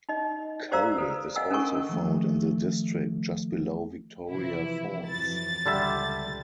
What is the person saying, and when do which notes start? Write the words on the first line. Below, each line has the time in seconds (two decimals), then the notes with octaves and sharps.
Coal is also found in the district just below Victoria Falls.
0.09 D#4 D#5
0.72 G4 C5 D5 F5 A#5 E6
0.98 A4 B4
1.36 D#5 F5 F#5 G#5 E6
1.50 C#4 D4 A4 A#4 G#5 C#6
1.89 D#3 F3 A3
4.30 C3 E3 F3 E4
5.09 F2 E3 F#3 A6
5.66 C#2 D3 G3 E5